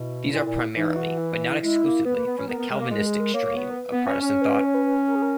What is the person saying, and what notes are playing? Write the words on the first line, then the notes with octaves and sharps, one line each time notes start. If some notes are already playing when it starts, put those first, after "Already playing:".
These are primarily, but not exclusively, from the Calvinistic stream of Protestant thought.
Already playing: B2 E4
A#2
A#2
E3 D#4
F#4
E4
G#3 E4
A#3
B3 B4
A#3
B3
C#4
B3 A#4
B3
G#3
A#3
G#3 A#4
G#4
A#4
A#3 C#5
B3
A#4
B4
B3
C#4
C#4 C#5
B4
C#5
B4
B4
A#4
G#4
A#4